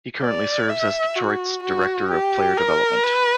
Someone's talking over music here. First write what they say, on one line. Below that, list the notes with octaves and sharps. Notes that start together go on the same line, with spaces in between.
He currently serves as Detroit's Director of Player Development.
D5
E5
F#4
F#4
G4
A#4
B4